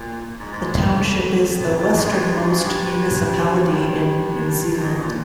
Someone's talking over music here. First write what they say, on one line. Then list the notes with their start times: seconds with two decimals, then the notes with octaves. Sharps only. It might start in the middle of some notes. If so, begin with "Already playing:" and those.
The township is the westernmost municipality in New Zealand.
Already playing: A#2
0.39 G#2
0.53 G#2
0.67 G2
0.80 G2
0.94 F2
1.96 G#2
2.05 G2
2.32 G#2
2.60 G2
3.70 G2
4.73 G2
4.80 G#2
4.99 A#2